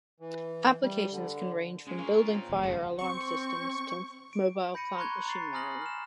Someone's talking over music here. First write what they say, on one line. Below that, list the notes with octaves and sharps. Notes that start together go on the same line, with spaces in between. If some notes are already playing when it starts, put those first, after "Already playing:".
Applications can range from building fire alarm systems to mobile plant machinery.
E3
G3
D3
C#3 G#3
C#4 F4 A#4
C4 C#5 A#5
E1 D#2
F#1 C#3 G#3 A4 F#5
C4 C#6
D7
B5 G6 A#6 C#7 D#7
A#5 C6 C#6 F#6 G#6 G7
A#5 C#6 A6 C7
G#5 A#5 D#6 F6 A#6 F#7
F6 E7